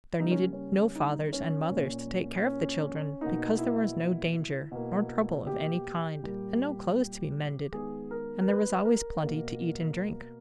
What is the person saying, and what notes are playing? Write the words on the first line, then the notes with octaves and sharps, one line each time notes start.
There needed no fathers and mothers to take care of the children; because there was no danger, nor trouble of any kind, and no clothes to be mended, and there was always plenty to eat and drink.
C#3 G3 A#3 D#4
C#4
C#4
D#4
C#4
A#2 A#3
C#4
B2 A#3 D#4
E4
B2 A#3
G4
A#2 G3 A#3
D#3 G#3 B3 G#4
A#4
A#4
B4
A#4
B2 A#3